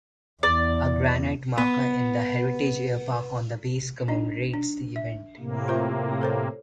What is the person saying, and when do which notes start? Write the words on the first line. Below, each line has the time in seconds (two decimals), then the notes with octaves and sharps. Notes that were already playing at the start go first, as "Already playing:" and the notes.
A granite marker in the Heritage Airpark on the base commemorates the event.
0.43 E2 D5
1.58 B3 B4
4.08 D4 D#4 D#5
4.54 D4
4.96 E5
5.39 A2 C3 A#3
5.68 F4 C5 E5
6.21 A4 C5 C#5